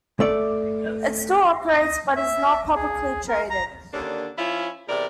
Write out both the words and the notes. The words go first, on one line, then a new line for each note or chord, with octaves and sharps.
It still operates, but is not publicly traded.
A3 D5
D#5
E5
G#4
A#4
A#5
D#2 D3 A#3 C#4 D4
F3 C#4 E4 F4
E2 C3 A#4 D5